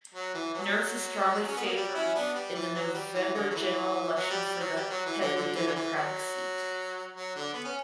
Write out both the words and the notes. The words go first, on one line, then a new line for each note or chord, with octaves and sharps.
Nurse is strongly favored in the November general election for the heavily Democratic seat.
F#3
E3
F#3
C#4
B3
A#3
G3
C#4 E4
B3 D4
G3
E3
F#3
G3
E3
D3
F#3
E3
F#3
G3
G3
F#3
G3
F#3
E3
D3
D3
E3
D3
E3
F#3
F#3
D3
B3
C#4